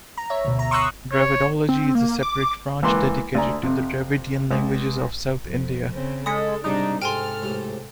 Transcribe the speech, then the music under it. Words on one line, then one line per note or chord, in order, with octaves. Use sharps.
Dravidology is the separate branch dedicated to the Dravidian languages of South India.
A#5
C#5 E5
D2 B2
A#5
C6 C#6 D#6 E6 F#6
C#5
C4
A#3
D6
C#2 E3 A#3 B4 C6 D6
D2 D5 G#5 A#5
F2 C3
C#2
F2
C#3 C4
G#3 A4 D#6 B6 C#7
G#2 C3 G3 D4 D#4
G#2 C3 G#3 A4 G5 G#5 C6 F6
C#2 A2 C3